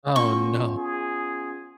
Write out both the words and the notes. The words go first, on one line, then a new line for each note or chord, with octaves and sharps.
Oh, no.
B3 C#4 F4 C#6
G#4